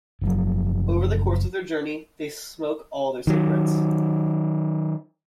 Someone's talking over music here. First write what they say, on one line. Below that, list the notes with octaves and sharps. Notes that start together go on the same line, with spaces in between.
Over the course of their journey, they smoke all their cigarettes.
F#1 F3 F#3
D#3 F#3